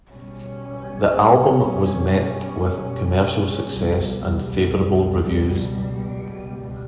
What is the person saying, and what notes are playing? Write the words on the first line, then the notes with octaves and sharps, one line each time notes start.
The album was met with commercial success and favorable reviews.
B2 G3 C#4
C#2 B2 G3